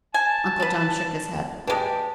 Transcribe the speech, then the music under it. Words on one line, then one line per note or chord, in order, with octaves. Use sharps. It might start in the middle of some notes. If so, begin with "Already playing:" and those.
Uncle John shook his head.
G#5 A5
D4 B4
G#3 D4 G4 B4 A5